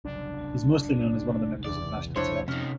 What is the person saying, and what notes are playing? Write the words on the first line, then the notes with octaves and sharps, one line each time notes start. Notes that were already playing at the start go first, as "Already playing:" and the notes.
He is mostly known as one of the members of Nationalteatern.
F#1 C2 F#2 D4
E2 D5
F2 D4 E4 C5 C#5
C3 C#4 D#4